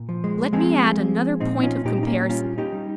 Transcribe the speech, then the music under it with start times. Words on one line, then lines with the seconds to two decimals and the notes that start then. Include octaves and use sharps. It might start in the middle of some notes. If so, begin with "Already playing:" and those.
Let me add another point of comparison.
Already playing: A#2
0.09 F3
0.24 G#3
0.53 F3 G#3 C4
0.97 F3
1.40 A#2 C4 D#4
1.63 C#4 F4
1.84 A#2 D#4 G4
2.03 D#4
2.07 A#3 C#4
2.29 G3 C#4 F4
2.58 D#4 G4
2.73 G3